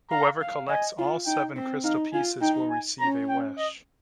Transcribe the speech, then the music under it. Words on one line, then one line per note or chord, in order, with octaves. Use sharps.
Whoever collects all seven crystal pieces will receive a wish.
F5 A#5
F5
D#5 G#5
F4
D#4 G5
C4
D#4 F5
F4 G#5
D#4 G5
G#5
C#4 A#5
G5
D#5